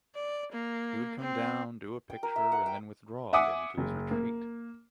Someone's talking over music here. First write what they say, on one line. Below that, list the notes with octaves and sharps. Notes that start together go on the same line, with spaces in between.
He would come down, do a picture, and then withdraw again to his retreat.
D5
A#3
C4
G5
A#4
E5
F#5
G5
E5 F#5 G#5 D6 D#6
F#1
A#3